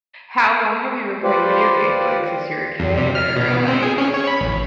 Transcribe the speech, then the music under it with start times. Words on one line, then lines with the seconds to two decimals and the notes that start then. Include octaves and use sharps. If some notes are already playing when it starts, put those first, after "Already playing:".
How long have you been playing video games? Like, since you were a kid, or like,
1.24 F4 G4 B4 C5 D5
2.80 F2
2.97 C3
3.15 F6
3.36 B2
3.50 B3
3.68 C4
3.83 G#4
3.98 C#4
4.14 C#5
4.27 B5
4.41 A1